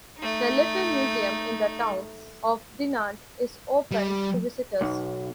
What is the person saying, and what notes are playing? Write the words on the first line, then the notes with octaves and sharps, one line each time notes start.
The Leffe museum in the town of Dinant is open to visitors.
A3 D#4
G3
B1